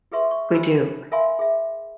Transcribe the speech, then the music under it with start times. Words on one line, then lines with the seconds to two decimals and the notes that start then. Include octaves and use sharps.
we do,
0.12 G4 G#4 B4 E5 C6 C#6
0.31 C#6
0.54 F#4 C5 G#5 B5 E6
1.12 A#4 E5 F5 G#5 B5 C6
1.39 G#4 E5